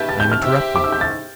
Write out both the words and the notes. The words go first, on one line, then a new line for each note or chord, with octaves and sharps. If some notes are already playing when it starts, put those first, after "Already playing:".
I am interrupted.
Already playing: G4 B4 E5 A5 G6
A6
G6
F6
G4 C5 E5 E6
D6
E6
G6
A6